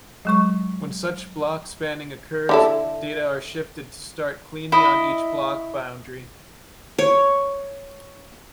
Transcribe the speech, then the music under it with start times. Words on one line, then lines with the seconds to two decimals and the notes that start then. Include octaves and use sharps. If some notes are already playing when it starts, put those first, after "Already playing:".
When such block-spanning occurs, data are shifted to start cleanly on each block boundary.
0.25 F#3 G#3 C#6
2.49 D3 E4 A4
4.72 E4 D#5
6.98 C#5